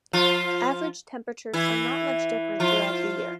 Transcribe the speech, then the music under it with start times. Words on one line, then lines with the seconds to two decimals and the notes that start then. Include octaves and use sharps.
Average temperatures are not much different throughout the year.
0.13 F3 F4
1.53 E3 E4
2.60 F3 F4